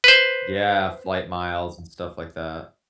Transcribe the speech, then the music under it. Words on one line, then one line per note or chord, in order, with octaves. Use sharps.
Yeah, flight miles and stuff like that.
B4 C5